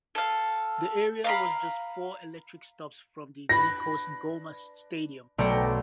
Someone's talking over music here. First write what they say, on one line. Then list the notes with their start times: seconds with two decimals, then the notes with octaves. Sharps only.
The area was just four electric stops from the Nikos Goumas Stadium.
0.15 A4 F5
1.24 F5 A#5 B5
3.49 D4 B4 B5 A#6
5.38 B1 A3 F#4 D5 G5 A#5